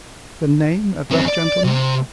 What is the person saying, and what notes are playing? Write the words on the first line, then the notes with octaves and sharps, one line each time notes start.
"The name of that gentleman?"
F#2 C4
D5
C3